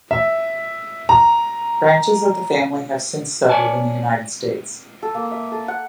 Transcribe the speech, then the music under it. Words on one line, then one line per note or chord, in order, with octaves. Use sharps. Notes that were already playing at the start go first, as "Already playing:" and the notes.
Branches of the family have since settled in the United States.
E5
A#5
C#5 D5 G#5 A5
A4
A#3
E5
A4
F#5